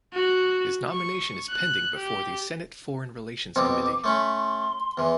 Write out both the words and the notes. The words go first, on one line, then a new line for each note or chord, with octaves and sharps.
His nomination is pending before the Senate Foreign Relations Committee.
F#4
C#6
F#6
G4
F2 B2 C4 D6
A3 C#4 B5 C6
E2 E3